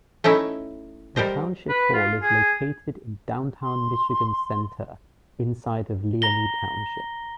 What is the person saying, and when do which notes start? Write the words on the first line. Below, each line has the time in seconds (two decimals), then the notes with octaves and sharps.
The township hall is located in downtown Michigan Center inside of Leoni Township.
0.24 A3 C#4 D#4 E4
1.16 G3 A#4 C5 D#5
1.69 B4
1.93 F4
2.23 G#4
3.62 C6
6.22 A#5 A#6 G7